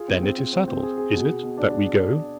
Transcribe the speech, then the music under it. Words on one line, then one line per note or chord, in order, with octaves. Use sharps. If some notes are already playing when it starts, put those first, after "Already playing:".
"Then it is settled, is it, that we go?"
Already playing: F4 G#4
C4
C4
C4
C4
C4
G#4
G#4
B2
B2
B2
D4